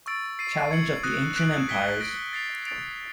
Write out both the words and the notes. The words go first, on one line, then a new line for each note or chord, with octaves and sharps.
Challenge of the Ancient Empires!
C#6 E6 A6 D7
A6 C7 D#7
G#6 C#7 F#7
D#6 F#6 A#6 D#7
F#6 A#6 D7 F#7
G#6 B6 D7 G7
F#6 A#6 D7
A6 C7 F7
A6 D7 F7